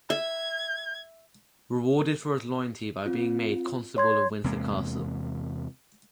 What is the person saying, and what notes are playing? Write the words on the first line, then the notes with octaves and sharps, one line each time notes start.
Rewarded for his loyalty by being made Constable of Windsor Castle.
E5 G#6
C4 F4
C#5 C6 G#6
E2 C3 G#3 A#3